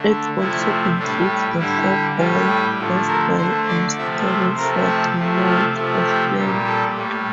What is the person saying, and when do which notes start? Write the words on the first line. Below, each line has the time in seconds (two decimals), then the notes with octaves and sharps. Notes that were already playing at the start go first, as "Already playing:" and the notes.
It also includes the Four Ball, Best Ball, and Stableford modes of play.
Already playing: D3 A3
0.39 C3 F3 A3 E4
0.99 A2 G3 D4
1.59 D3 G3 E4
2.18 A2 G3 F4
2.48 G4
2.78 D3 F3 A3
3.08 A#4
3.37 D3 A3 C5
3.68 D5
3.97 C3 F3 A3 E5
4.27 C5
4.57 C3 F3 A3 A#4
4.87 A4
5.17 C3 F3 A3
5.46 F4
5.76 C3 F3 A3
6.06 G4
6.36 A#2 G3
6.66 A4
6.95 A2 G3